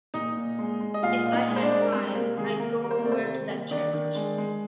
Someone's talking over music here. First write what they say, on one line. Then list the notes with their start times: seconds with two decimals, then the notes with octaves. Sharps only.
If I had time I'd go over to that church.
0.14 A#2 D#4 D#5
0.37 A#2
0.59 G#3
0.81 G#3
0.94 D#5
1.03 A#2 F4 F5
1.26 A#2
1.33 D#4 D#5
1.48 G#3
1.56 C5
1.63 D4 D5
1.71 G#3
1.81 A#4
1.92 G3 C4 C5
2.14 C3 A#3 A#4
2.37 D#3 G#3 G#4
2.59 A#3 A#4
2.81 G3 A#4
2.91 C5
2.98 A#3 A#4
3.04 C3 D5
3.12 C4 C5
3.26 D#3
3.48 A#3
3.71 D#3 D4 D5
3.93 D#3
4.15 G#3
4.38 G#3